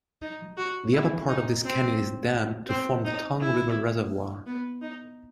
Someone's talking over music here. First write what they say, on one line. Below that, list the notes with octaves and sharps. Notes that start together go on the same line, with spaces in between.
The upper part of this canyon is dammed to form the Tongue River Reservoir.
D#4
F#4
E4
D#4
C4
C4
D#4
E4
B3
D#4